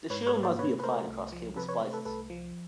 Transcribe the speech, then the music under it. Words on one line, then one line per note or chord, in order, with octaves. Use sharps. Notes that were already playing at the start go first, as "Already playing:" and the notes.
The shield must be applied across cable splices.
G#2 B4 C#5
B4 C#5
A#3
C5 D5
C3 B4 C#5
B4
A3 A#4 C5
C2
F3
C3 A4 B4
B4 C#5
A3
A4 B4
C2 A4 B4
F3